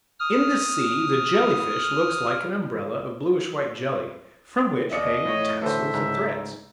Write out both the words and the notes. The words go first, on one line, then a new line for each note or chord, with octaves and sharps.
In the sea the Jelly-fish looks like an umbrella of bluish-white jelly, from which hang tassels and threads.
D#6 F6
D#2 D5 D#5 C#7
A2 C#5
D2 A2 E3 A4 C5 E5
C#2 G#2